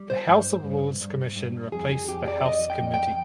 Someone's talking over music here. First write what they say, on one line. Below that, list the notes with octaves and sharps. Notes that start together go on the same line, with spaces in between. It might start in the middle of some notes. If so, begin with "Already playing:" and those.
The House of Lords Commission replaced the House Committee.
Already playing: G3
C5
G2
G2
G2
G2
F2 G#4
G#4
F2 G4
D5
D5
F2 D#5
G5
F2
G5